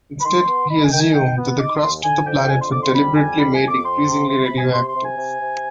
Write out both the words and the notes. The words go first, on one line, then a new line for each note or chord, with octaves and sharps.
Instead, he assumed that the crust of the planet was deliberately made increasingly radioactive.
B5
D#3 C6
B3
D#4 B5
G#5
D#3 G5
G#5
D#4 G5
B3
D#4 D6
C6
D#2
D3 G#5
F2 G5
G5
D3 G#5
C6
F2 D6
C6
G3 B5
F2 G#5
F2 B5
G#5
F2
D6
C4 C6
C3
C3 C6
B5
C3
G#5
C3 C6
C6
C3
G#5
C3
C3